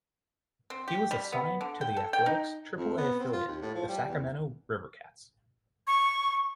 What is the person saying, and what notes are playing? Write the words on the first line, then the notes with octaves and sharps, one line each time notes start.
He was assigned to the Athletics' Triple-A affiliate, the Sacramento River Cats.
C4
G4
G3
B3
D3
G5
A4
G5
D#4
F2
B3
C4
F4
D#2
A2
F3
G3
E2
C#6